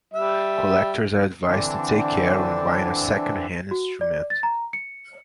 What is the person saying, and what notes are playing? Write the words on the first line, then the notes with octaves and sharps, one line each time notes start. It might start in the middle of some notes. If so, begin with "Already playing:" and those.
Collectors are advised to take care when buying a second-hand instrument.
G3 E5
D3 E3 C4 D4
F#4
D5
A6
A#5
C#7